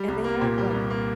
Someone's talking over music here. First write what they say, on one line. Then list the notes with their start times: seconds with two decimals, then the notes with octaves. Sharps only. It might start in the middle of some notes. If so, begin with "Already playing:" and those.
and they have, like,
Already playing: G3
0.08 C2
0.24 A#3
0.41 A#2
0.58 G3
0.74 C2
0.90 A#3